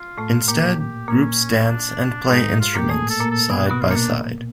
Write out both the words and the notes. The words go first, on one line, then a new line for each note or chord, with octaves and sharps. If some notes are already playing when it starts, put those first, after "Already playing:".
Instead, groups dance and play instruments side by side.
Already playing: F4
A2 A3
A#2 A#3 G4
G4
A#2 A#3 C#4
D4
G#2 G#3 D#4
F4
A#2 A#3 G4
A2 A3 G#4
A4
A#2 A#3
A4
B2 B3 G#4
B2 B3 F#4
F4
A#2 A#3 D4